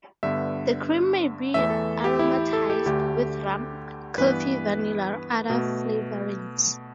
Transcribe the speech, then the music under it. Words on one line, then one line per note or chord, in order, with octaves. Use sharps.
The cream may be aromatized with rum, coffee, vanilla, or other flavorings.
G2 D3 B3 E5
E2 E3 A3 E5
A4
G4
E4
G4
A4
G4
D2 D3 A3 G4
G2 E3 B3 B4
B2 A3